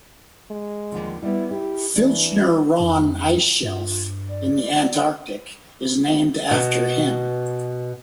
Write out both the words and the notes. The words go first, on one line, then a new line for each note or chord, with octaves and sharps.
Filchner-Ronne Ice Shelf in the Antarctic is named after him.
G#3
D#2 D3 F3
G3 B3 E4
E4 G4
E3 D4
F2 D#4
G2 F4
D5
B2